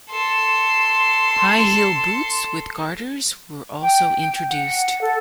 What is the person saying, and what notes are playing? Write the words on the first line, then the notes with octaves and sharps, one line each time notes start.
High-heel boots with garters were also introduced.
A4 C6
G5
F#5
A4